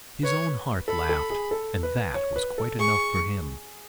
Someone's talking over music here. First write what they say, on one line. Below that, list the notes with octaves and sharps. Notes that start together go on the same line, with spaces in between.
His own heart laughed: and that was quite enough for him.
B4 C#5
A4 B5
A4
G#4
A4
B4
C#5
B4
A4
G#4 C#6